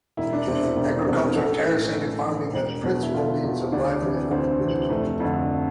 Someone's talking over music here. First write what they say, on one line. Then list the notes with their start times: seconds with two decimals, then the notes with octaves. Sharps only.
Agricultural terracing and farming are the principal means of livelihood.
0.17 E1 E4
0.33 D4
0.47 E2 C3 C4
0.63 E4
0.76 E1
1.06 E2 C3
1.35 A1 A4
1.65 A2 E3
1.95 A1
2.25 A2 E3
2.54 E1
2.83 E2 B2
3.03 E4
3.13 E1 F4
3.43 E2 B2
3.72 D2 D4
4.02 C3 E3
4.31 D2 C4
4.61 C3 E3
4.90 F1 A3
5.20 F2 D3